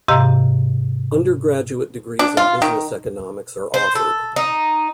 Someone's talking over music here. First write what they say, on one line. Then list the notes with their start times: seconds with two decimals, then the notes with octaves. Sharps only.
Undergraduate degrees in business economics are offered.
0.08 G#2 C3 G4 D#5 F5 A#5
2.19 D4
2.37 F4
2.62 D#3
3.74 C5
3.95 A4
4.36 D#4